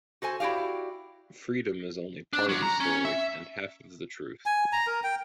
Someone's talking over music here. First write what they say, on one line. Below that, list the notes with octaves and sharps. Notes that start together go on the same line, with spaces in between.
Freedom is only part of the story and half of the truth.
F#4 A4 C5 G#5
E4 F#4 G4 D5 F5
D4
F#3 D4
A#5
C#4
E5
G#5
A#5
A#4
G5